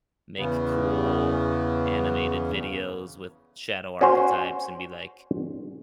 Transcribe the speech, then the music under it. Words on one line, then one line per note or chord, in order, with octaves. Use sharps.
make cool animated videos with shadow archetypes and be like
E2 C#3 B3
C#4 F#4 C5 C#5